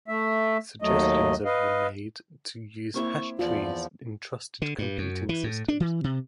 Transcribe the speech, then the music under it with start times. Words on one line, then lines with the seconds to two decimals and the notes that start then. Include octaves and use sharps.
Suggestions have been made to use hash trees in trusted computing systems.
0.08 A3 E5
0.82 D#2 F#3 A3 D#5
1.45 B4 D#5 F5
2.94 A#3 C4 E4 C#6
3.39 E2 F3 F4 D5
4.62 D3
4.78 G2
4.98 F#2
5.29 E3
5.44 A2
5.68 D4
5.80 E3
6.04 C3